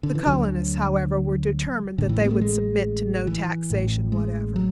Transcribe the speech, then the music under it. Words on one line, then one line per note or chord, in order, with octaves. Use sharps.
The colonists, however, were determined that they would submit to no taxation whatever.
D3
E3
D2 D3 F#3
A1 A2 D3
E3
G#3
B3
A3
G#3
E3
A1 A2
G#3
F#3